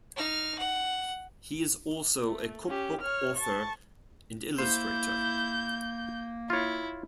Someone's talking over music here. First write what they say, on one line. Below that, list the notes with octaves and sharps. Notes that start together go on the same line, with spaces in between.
He is also a cook book author and illustrator.
D#4 F6
F#5
A3
C#4 G4
C#5 F6
A5 C#6
A#3 E4 C5 G6
E4 F4 C#5